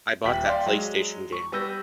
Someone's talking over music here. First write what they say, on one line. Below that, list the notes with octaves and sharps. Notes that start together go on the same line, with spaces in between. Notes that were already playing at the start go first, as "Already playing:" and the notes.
I bought that PlayStation game.
D#1 G5 B6 F#7
D5 F5 G5 C6
F#3 G#3
C#6
G3 B3 E6 G6 A#6